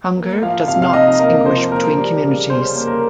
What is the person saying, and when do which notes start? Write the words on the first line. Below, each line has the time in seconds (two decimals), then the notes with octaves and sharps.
Hunger does not distinguish between communities.
0.17 A#3
0.42 F3 F5
0.68 C3 F5
0.82 F5
0.93 D#4 D#5
1.19 A#3 A#4
1.46 F3 C5
1.72 A#3 A#4
1.97 G3
2.24 C#3
2.50 C#4 C5
2.75 A#3
2.87 A#4